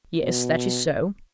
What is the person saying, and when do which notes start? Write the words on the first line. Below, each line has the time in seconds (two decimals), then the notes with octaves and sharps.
"Yes, that is so."
0.22 B2